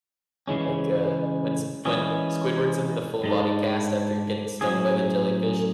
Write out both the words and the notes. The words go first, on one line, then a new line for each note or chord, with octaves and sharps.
like, uh, when s when Squidward's in the full-body cast after getting stung by the jellyfish,
C#3 E3 G#3 C#4
E3 G#3 C#4 G#4
G#2 G#3 D4
A2 F#3 C#4 G#4